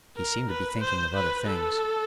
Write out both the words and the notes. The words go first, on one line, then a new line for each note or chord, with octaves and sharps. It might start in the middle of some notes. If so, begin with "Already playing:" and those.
He seemed to be thinking of other things.
A#4
B4
C5
B4
A4